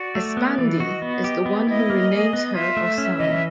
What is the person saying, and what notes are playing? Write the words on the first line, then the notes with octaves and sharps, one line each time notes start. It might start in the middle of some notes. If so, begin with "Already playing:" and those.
Espandi is the one who renames her Osama.
Already playing: F#4 D5
A3
B3
E3
F#4 D#5
B3
G4
B3
E4 D#5
A#3
G#4
B3
F4 E5
A3
C#4
E3 D#5
E5